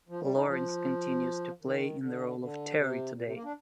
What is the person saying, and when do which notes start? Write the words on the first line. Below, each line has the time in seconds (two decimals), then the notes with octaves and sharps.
Lawrence continues to play in the role of Terry today.
0.09 F3
0.22 G3
0.34 D#4
0.48 F3
1.62 D#3
2.00 D3
2.38 D3
2.77 C3
3.15 A#2
3.24 C3
3.34 A#3
3.44 D4